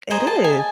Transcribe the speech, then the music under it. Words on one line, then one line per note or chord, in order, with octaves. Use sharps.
It is.
G#4 C5 D#5 A#5
A5
G#5